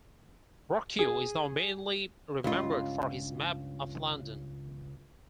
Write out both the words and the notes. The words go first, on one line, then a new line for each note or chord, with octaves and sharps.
Rocque is now mainly remembered for his Map of London.
G#4
C#2 G2 F4